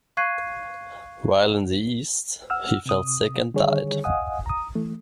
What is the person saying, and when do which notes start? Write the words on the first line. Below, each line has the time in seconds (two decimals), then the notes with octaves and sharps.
While in the east, he fell sick and died.
0.17 F5 C#6 F#6 G#6 C7 D#7
2.50 F#5 E6 F6
2.86 C3 D#6
3.54 D3 D#3 G3 G#4 C#5
4.04 D#5 F5 F#5 G#5 D#6
4.46 A#5 D#6
4.75 E3 A3